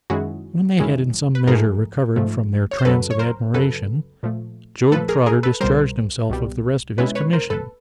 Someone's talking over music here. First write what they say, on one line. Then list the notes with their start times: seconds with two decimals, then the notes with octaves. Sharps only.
When they had in some measure recovered from their trance of admiration, Job Trotter discharged himself of the rest of his commission.
0.10 F#2 D#3 G#3 C#4 E4 F#4 G#4
0.79 F#2 D#3 G#3 C#4 E4
1.35 B4
1.47 G#2 F3 A3 G#4 A#4
2.16 G#2 F3 A3
2.71 C#5
2.79 C5
2.85 F#2 C#3 F#3 A4 B4
3.11 C#5
3.19 A#4 C5
3.54 F#2 C#3 F#3 A4 B4
4.23 A#2 F3 A3
4.92 A#2 F3 A3 A4 B4
5.09 G#4 A#4
5.26 G#4 A#4
5.43 A4 B4
5.61 C2 B2 G3 A#4 C5
6.30 C2 B2 G3
6.98 B2 G#3 C#4 E4 B4 C#5
7.15 B4 C#5
7.33 A#4 C5
7.50 A4 B4